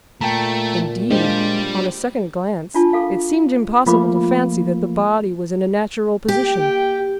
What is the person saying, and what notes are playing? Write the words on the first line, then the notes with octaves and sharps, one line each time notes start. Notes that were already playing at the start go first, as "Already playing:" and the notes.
Indeed, on a second glance, it seemed impossible to fancy that the body was in a natural position.
A#2 A3 G5 A5 A#5
G3 G#3 D4 F4 G4 C5
D4 F4 A5
G#4 A4 F5
F3 A3 A#3 F4 B5 D6
A#3 G4 G5